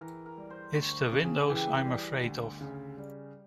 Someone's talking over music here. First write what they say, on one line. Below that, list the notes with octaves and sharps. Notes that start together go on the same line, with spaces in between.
It's the windows I'm afraid of.
E3 A#4
A#4
G3
C5
D2 C#5
D5
C#3
G#4
E3 G4
G3
D2
C#3
G3